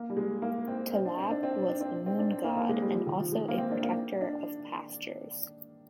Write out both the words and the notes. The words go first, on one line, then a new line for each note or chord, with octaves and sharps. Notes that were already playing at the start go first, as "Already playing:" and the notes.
Ta'lab was the moon god and also a protector of pastures.
Already playing: A#3
G3
G#3
A#3
C4
C4
D4
C4
D4
C4
D4
C4
C4
D4
C4
A#3
A#3
G#3
G3
F3
D#3
F3
G#3
A#3
C4
D4
A#3
D4